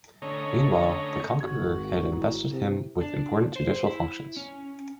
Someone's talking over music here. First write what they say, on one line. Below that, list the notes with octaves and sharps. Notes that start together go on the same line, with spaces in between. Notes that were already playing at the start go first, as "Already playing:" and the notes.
Meanwhile, the Conqueror had invested him with important judicial functions.
D3 A3 C#4 C#5 D#5 A#5
G#1 F#4 G#6
E4
C3
D4
C5
E4
C#4